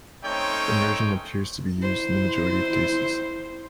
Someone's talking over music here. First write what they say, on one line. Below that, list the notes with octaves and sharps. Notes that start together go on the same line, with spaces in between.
Immersion appears to be used in the majority of cases.
A3 C4 C#4 D#4 C#5 G5
E4 C5